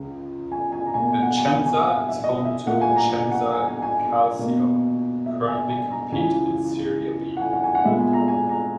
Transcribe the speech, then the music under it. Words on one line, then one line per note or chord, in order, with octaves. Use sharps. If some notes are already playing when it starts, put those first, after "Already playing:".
Vicenza is home to Vicenza Calcio, who currently compete in Serie B.
Already playing: C#2 C#3
G#5
G#5
A#5
B2 A#3 G#5
G#5
F#5
G#5
G#5
G#5
F#5
E5
E5
D#5
E5
A#2 A#3 F#5
G#5
A#5
G#5
F#5
G#5
G#5
G#5
B2 A#3
E5
G#5
G#5
A#5
C#2 C#3 E3 G#5
F#5
G#5
F#5
G#5
F#5
A#2 G#3 B3 E5
G#5
A#5
G#5
A#5